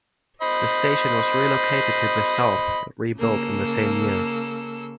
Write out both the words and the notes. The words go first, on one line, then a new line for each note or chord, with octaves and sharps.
The station was relocated to the south and rebuilt in the same year.
C5 D#5 B5
C#3 A#3 A4 E6